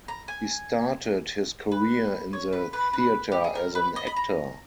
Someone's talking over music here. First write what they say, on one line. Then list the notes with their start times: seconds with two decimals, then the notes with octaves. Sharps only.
He started his career in the theatre as an actor.
0.08 A#5
0.28 G#5
1.71 B4
2.33 C#5
2.53 B4
2.73 B4
2.93 B4
3.32 G4
3.44 G#4
3.55 A#4
3.75 B4
3.96 D#5
4.07 B5
4.16 A#5